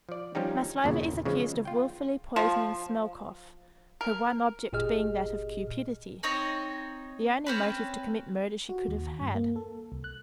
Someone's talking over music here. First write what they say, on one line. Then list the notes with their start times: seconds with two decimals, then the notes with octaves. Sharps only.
Maslova is accused of wilfully poisoning Smelkoff, her one object being that of cupidity, the only motive to commit murder she could have had.
0.09 F3 D5
0.35 F3 G3 C#4 D#4 G4
0.84 E2 G2 A#2 C#3
1.25 C#3 E3 F3 G#3
1.65 F4 G5
2.36 F3
4.01 A#4
4.73 G1 A#2 G4 G#4 D#5 F6
6.23 C4 D#4 C#5 D#5
7.46 C4 C#4 B4
8.69 F#4
8.88 D#2
9.21 G2
9.35 A#3
9.56 A4
9.92 C2
10.04 F#6